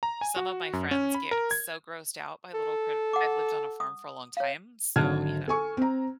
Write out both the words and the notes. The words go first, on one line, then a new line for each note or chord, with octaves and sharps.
some of my friends get so grossed out by little critt I've lived on a farm for a long time, so you know?
A#5
G#5
F#4
F#2
C#4
B5
A#4
G#6
A4
F#5 D6
D#6
C#5 F5
G#1 D3 F#3 A5 F6 G#6
A4 G#5 C#6
C4 A#5